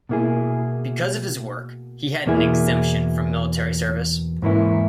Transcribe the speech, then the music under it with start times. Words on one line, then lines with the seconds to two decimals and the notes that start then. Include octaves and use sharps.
Because of his work, he had an exemption from military service.
0.09 B2 A#3 E4 G#4
2.26 E2 B2 A#3 E4 G#4
4.42 G#2 E3 A#3 C#4 E4